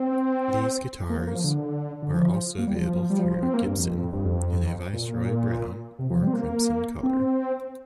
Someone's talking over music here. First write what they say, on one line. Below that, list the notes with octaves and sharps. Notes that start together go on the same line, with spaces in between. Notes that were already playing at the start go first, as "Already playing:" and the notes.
These guitars are also available through Gibson, in a viceroy Brown or Crimson colour.
Already playing: C4
A#3
F3
A#3
F3
D3
D3
F3
A#3
G3
F3
G3
F3
C4
A#3
G2
F2
G2
F2
A#2
C3
F3
G3
C4
A#3
C4